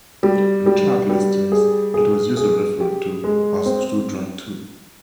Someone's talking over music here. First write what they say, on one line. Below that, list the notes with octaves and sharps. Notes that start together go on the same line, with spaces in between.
In chart listings, it was usually referred to as "Too Drunk To".
G3
G3
G3
G#4
G#4
G#4
G4
G#3
C4